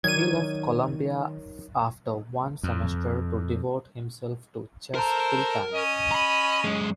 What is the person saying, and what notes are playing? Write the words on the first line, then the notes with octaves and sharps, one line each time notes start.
He left Columbia after one semester to devote himself to chess full-time.
D#3 F#3 D#4 A#4 C#5 D5 G#6 D#7
F2
A4 A#4 C5 A#5
C#4 D#5
A#5 B5
F#2 G#3